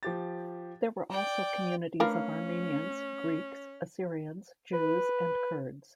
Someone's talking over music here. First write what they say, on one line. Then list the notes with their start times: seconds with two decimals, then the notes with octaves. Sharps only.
There were also communities of Armenians, Greeks, Assyrians, Jews and Kurds.
0.03 F3 G4 A6
1.10 D5 G5
2.00 A3 C#4 D4 A#4 B4 F5
4.73 B4